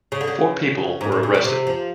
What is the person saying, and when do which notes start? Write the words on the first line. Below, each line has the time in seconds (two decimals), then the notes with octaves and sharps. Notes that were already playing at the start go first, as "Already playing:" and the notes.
Four people were arrested.
0.12 C#3
0.21 D3
0.27 C#3
1.01 G#2
1.12 A2
1.23 A#2
1.34 B2
1.44 C3
1.67 F3